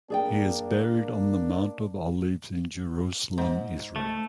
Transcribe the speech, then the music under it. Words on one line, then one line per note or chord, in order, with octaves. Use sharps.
He is buried on the Mount of Olives in Jerusalem, Israel.
A#3 D4 G#4 D5 G5
G#2
A3